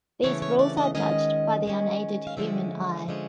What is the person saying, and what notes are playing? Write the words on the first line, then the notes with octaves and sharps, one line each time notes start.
These rules are judged by the unaided human eye.
C#3 E3 A3 C#4 C#5
C#5
D5
D#5
D#3 G#3 C#4 D#5
D#3 G#3 C#4
F5
D3 F3 G#3 C#4 E5
D3 F3 G#3 C#4